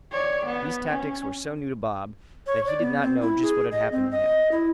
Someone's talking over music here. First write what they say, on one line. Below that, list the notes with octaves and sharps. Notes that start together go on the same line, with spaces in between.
These tactics were so new to Bob, that he did not know just what had happened to him.
C#5 D5
B3
C#4
C#5
D5
B3
C4
E4
G#4
D#5
C4
D#5
E4